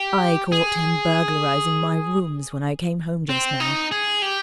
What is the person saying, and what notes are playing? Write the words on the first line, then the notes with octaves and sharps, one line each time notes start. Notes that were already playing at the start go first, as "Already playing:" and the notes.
I caught him burglarizing my rooms when I came home just now.
Already playing: G4
G#4
C4
D#4
G#4
G4